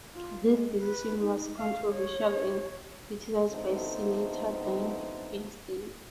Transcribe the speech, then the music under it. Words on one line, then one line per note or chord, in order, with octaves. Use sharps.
This decision was controversial and criticized by Senator Dianne Feinstein.
F4
G#3
B4
D#4
F5
C#5
D3 F3 A3 B3 C4 D#4